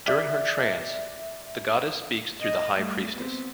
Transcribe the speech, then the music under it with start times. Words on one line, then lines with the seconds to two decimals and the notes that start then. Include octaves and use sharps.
During her trance, the Goddess speaks through the High Priestess.
0.06 D5 E5 D6 F#6 B6
2.41 D#5
2.74 G3 A3
3.16 B3 C4